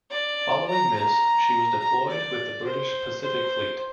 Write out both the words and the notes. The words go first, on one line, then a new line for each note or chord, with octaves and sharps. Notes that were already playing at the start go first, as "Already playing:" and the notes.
Following this, she was deployed with the British Pacific Fleet.
D5
A#5
A#5
A#5
D5
C5
C5